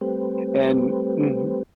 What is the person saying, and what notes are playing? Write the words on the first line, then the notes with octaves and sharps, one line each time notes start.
And mhm.
G3 A3 C4 G4 B4 C5